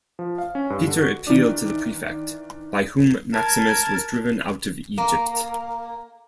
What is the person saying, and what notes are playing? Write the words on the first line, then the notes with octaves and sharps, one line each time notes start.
Peter appealed to the prefect, by whom Maximus was driven out of Egypt.
F3
F5
C#4
G2
D3
F#4
D#3 E3 D4
A#4 A5 G#6
A#3